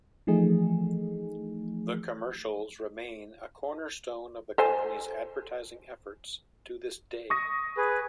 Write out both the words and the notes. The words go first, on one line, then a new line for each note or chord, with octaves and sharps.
The commercials remain a cornerstone of the company's advertising efforts to this day.
E3 F3 A3 D#4 G#4
A4 C5 G#5
C#6 D#6 A#6
G#4 B4